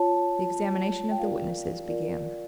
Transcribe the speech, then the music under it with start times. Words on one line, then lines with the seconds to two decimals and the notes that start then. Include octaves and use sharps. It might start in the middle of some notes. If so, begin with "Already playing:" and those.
The examination of the witnesses began.
Already playing: F4 C#5 A5
0.50 F4 C#5
1.11 G5
1.19 F4 A#4 D5 F5
1.88 F4 A#4 D5